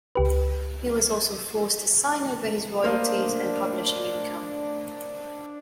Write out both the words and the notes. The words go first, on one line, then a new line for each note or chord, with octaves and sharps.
He was also forced to sign over his royalties and publishing income.
C#2 G4 B4
A3 A#3 D4 C5 D#5 F5